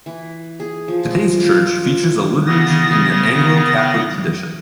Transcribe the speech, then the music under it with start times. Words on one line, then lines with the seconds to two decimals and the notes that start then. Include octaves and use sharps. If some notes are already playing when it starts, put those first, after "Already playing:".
Today's church features a liturgy in the Anglo-Catholic tradition.
0.06 E3
0.60 G#4
0.88 F3
1.43 F4
2.47 C#3 B3 D#6 A6 A#6